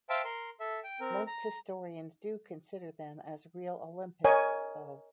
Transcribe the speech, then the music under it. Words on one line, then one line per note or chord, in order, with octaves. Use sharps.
Most historians do consider them as real Olympics, though.
C5 E5 F5 G5 A5
A#4 C6
A4 E5
G5
C4 A#4
A#5
A#4 C#5 D#5 G#5